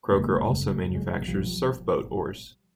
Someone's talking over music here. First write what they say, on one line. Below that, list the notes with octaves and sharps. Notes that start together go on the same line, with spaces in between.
Croker also manufactures surf boat oars.
F1 E2 C#3 G#3 A#3
F#1 F#2 C#3 G3 A3
G3 A3
D2 C#3
F#3 G#3
G#3
G3
B1 A#2 F#3
F3 G3